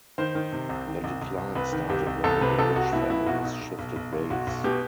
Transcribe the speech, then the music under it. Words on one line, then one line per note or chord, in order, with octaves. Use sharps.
The decline started when the rich families shifted base.
D#3 C5
D#3
C3
C2
D#3
C2
C2
C2
C2 B4
D#3
C2 G4
C2
C2 A4
C3 B4
C2 A4
C2 F#4
B2 E4
B2 E4
B1 F#4
B1 D#4
B1
B1
B1
B1
B1 F#4
B1
B2 G4